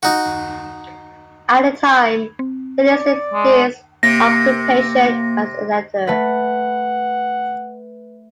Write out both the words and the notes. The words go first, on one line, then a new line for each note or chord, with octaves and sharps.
At the time, he listed his occupation as "editor".
D#4 F#4
B5 G#6
C4
D5
G#3
C3 A#3 A#6
A3 B4 F#5